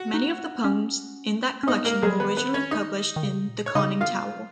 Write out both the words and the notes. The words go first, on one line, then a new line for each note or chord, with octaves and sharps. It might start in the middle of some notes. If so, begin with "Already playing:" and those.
Many of the poems in that collection were originally published in "The Conning Tower".
Already playing: F#4 F#5
D#4
C#4
C#4
B3 D#4 D#5
G#3 A#3 A#4
F#3 G#3 G#4
D#3 B3 B4
B3 B4
C#4 C#5
D#4 D#5
D#3
C#3
A#2
C#5
C#3 D#4 D#5
D#3 F4 F5
B3
A#3
G#3
F#3